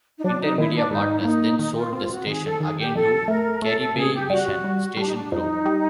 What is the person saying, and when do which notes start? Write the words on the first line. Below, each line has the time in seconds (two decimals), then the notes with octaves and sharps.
InterMedia Partners then sold the station again to Caribevision Station Group.
0.19 D#4
0.23 F#3 D4
0.41 D#4
0.58 D#3 E4
0.75 D4
0.91 G#2 D#4
1.19 E4
1.25 A#3 D#4
1.59 D#3 D#4
1.76 F4
1.93 C4 F4
2.10 F#4
2.26 D#3 G#4
2.44 A4
2.60 D#3 G#4
2.78 G4
2.95 F2 A4
3.28 A3 A#4
3.62 A3 A4
3.79 A4
3.96 C#3 G#4
4.14 G4
4.30 G3 F#4
4.64 G3
4.97 G3 D4
5.07 D#4
5.14 D4
5.32 F2 D#4
5.66 G3